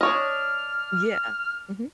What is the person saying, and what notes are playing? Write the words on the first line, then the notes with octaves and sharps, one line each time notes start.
Yeah. Mhm.
D4 C#5 D#5 F6